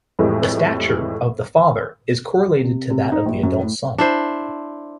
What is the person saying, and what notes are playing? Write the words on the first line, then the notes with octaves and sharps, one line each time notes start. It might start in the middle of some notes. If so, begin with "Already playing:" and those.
The stature of the father is correlated to that of the adult son.
F2 A2 E3 G3 G#3
C3
C3
D#4
A#1
F#2
A2
D4 E4 C5